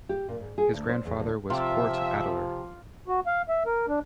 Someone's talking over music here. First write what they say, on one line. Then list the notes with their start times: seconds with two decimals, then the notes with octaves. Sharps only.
His grandfather was Cort Adeler.
0.09 G4
0.28 A#2
0.40 G#2
0.58 G#4
0.73 D2
0.89 C5
1.05 E2
1.20 D2
1.50 C3 F3 F4 E5 D6
3.08 F#4
3.26 F5
3.49 E5
3.66 A#4
3.88 D4